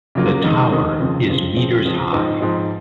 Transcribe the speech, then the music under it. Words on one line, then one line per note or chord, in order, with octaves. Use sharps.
The tower is meters high.
C#3 F#3 A#3 F4
F2 D#3 G#3 D#4
F2 D#3 G#3 D#4
F2 C#3 F3 C4
F2 C#3 F3 C4
F2 C#3 F3 C4
F2 C#3 F3 C4
G#2 F3 C4 D#4
G#2 F3 C4 D#4